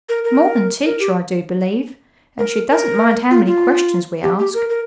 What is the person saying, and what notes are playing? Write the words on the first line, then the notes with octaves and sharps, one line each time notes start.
More than Teacher, I do believe; and she doesn't mind how many questions we ask.
A#4
A#4
A#4
G4
A#4
A#4
F4
F4
G4
G4
A#4
A#4